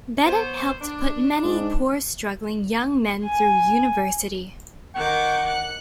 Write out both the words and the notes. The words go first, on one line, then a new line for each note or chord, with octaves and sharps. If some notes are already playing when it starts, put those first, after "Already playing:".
Bennett helped put many poor, struggling young men through university.
B3 C5 C#5
D4
G#2
G#5
D#3 F#5 C#6 D6 G6
F#6 C#7